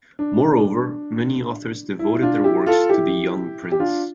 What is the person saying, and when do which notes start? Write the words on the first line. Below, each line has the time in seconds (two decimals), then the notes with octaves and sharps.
Moreover, many authors devoted their works to the young prince.
0.19 D4
1.99 E4
2.22 D4 F4
2.44 E4 G4
2.66 F4 A4
2.89 E4 G4
3.72 G4
3.80 D4 F4